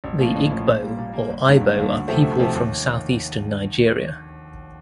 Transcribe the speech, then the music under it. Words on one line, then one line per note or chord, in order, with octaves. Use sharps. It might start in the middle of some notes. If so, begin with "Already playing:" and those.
The Igbo or Ibo are people from Southeastern Nigeria.
A1
A2 F3 A#3
A1
A2 F3 A#3
A#2
G3 A#3
A#2
G3 A#3
G1
G2 D#3 A#3
G1
G2 D#3 A#3
D2
C3 F3 A3 C4
D2
C3 F3 A3 C4
D#2